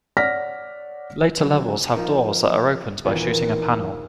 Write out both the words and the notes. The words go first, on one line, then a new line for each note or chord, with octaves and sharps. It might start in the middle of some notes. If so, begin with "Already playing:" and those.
Later levels have doors that are opened by shooting a panel.
C#5 D5 F#5 F6 A#6 B6
C#3 F#3
F3 D#4 A#4
F6
A#1 D#2 A#2 E3 B3 F4